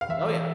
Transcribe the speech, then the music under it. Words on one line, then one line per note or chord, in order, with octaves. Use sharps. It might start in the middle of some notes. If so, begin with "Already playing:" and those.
Oh, yeah.
F5
E3 E5